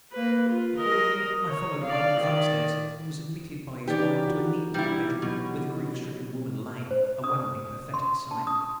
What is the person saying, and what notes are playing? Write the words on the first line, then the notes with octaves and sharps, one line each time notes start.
Accordingly, I followed Weymouth upstairs and was admitted by his wife to a neat little bedroom where the grief-stricken woman lay, a wanly pathetic sight.
A#3 B4
F4
A#4 D#5
C#5
D5 F5
D#3 D5
E3 D#4 G4 B4 D5
F4 F#4 F#5
G3 E4
B2 F#3 E4 G4
C5
D#6
C6
A5
D#6